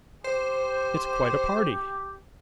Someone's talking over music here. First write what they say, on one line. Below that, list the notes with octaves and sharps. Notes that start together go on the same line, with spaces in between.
'It's quite a party!'
G4 C5